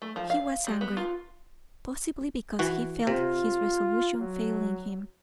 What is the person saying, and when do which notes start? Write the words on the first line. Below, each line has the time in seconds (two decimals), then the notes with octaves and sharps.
He was angry; possibly because he felt his resolution failing him.
0.02 A3
0.16 F3
0.30 F5
0.67 G3
0.81 B3
0.97 F4
2.59 E3 F#4
3.07 C3 F4
4.21 F#3